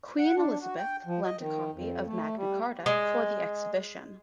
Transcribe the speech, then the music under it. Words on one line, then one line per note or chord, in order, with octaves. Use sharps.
Queen Elizabeth lent a copy of Magna Carta for the exhibition.
F#5
D4
F#4
G5
F3
D#5
D#3
F2
A3
G3
G#3